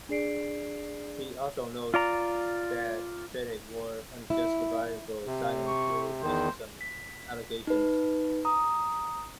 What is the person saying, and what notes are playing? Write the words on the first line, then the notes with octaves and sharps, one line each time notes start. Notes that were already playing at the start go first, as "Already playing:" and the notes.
He also notes that critics were unjustifiably silenced through racism allegations.
D4 G#4 D5 C7 D7
F4 D5 A#5
E4
C3
C#6
E2 D#3 C5
B6
D#4 B4
A#5 D#6